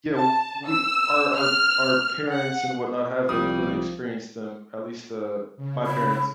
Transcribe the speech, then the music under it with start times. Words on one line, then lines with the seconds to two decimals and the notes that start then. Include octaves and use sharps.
yeah, we our our our parents, and whatnot, haven't really experienced them, at least, uh, my parents
0.16 A5
0.66 E6
1.36 F6
2.30 F#5
3.29 C2 F3 G3 D#6
5.57 C#3
5.86 B5